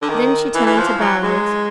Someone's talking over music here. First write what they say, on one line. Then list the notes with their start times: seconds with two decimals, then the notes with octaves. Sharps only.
Then she turned to Barold.
0.02 D3
0.09 D#3
0.55 E3
0.66 E3
0.78 F3
1.00 F#3
1.23 G#3